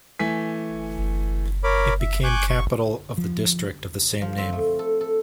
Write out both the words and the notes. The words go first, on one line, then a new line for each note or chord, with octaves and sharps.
It became capital of the district of the same name.
E3 A3 G#5 B6
A#4 C#5 B5 D6
E5
G#5 C#6 D6 F#6 G6
C#6
F3
F3
C4
A3
A4
A4